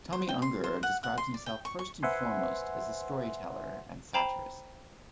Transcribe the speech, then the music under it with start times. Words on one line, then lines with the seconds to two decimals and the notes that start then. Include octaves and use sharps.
Tomi Ungerer describes himself first and foremost as a story teller and satirist.
0.13 C5
0.29 G5
0.42 C6
0.64 C5
0.83 F#5
1.04 F#5
1.18 C6
1.34 D5
1.46 G5
1.65 C#6
1.79 C#6
2.03 B4 C5 E5 F#5 G#5 C6
4.14 C5 G5 A#5 B5 C7 E7